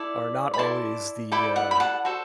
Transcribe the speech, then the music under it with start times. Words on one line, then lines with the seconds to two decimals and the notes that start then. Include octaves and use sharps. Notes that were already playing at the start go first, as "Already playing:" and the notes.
are not always the uh
Already playing: E4 A4 D5
0.54 B5
0.59 E4 A4 D5 A5 C6
1.32 E4 A4 D5 G5 B5
1.56 F#5
1.71 B5
1.80 F#5 A5
2.05 F#4 A4 C5